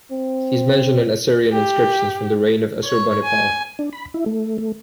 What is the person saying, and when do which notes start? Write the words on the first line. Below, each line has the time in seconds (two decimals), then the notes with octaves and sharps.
He is mentioned in Assyrian inscriptions from the reign of Assurbanipal.
0.12 C4
1.53 G4
2.83 C#5 C#6
3.23 G#5
3.79 D4
3.93 B5
4.14 E4
4.26 A3
4.58 A3